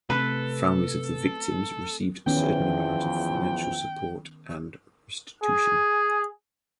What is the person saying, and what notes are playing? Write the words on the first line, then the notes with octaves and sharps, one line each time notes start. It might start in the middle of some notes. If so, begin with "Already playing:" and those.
Families of the victims received certain amount of financial support and restitution.
C3 A3 C4 A4 B4
E2 D#3 F3 B3 C#4 G5
G#4